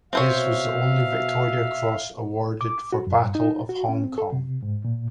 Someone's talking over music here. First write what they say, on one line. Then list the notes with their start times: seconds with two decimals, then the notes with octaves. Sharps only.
His was the only Victoria Cross awarded for Battle of Hong Kong.
0.13 B2 C4 C5 C#5 E5 F5
2.61 D6
2.93 F#4
3.07 F#2
3.22 G2
3.35 D#4
3.69 F#4
3.89 C#4
4.04 C4
4.18 A4
4.32 C3
4.63 G#2
4.85 A#2